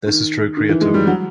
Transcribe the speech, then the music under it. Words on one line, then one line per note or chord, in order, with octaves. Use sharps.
This is true creativity.
D#3
D#3
E3
G#3
G3
F#3